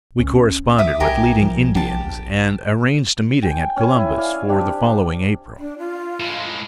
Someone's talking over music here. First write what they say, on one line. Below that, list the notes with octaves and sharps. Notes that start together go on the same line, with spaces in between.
We corresponded with leading Indians and arranged a meeting at Columbus for the following April.
C#2 C#4
E5 D6 D#6
B1 G4 A#4 G#5
F3
A#1 G4 A5
G5 G#5
C#4 G#5
E4
D5 F5 G#5
C4 D4 G4
D4
F4
A2 G#3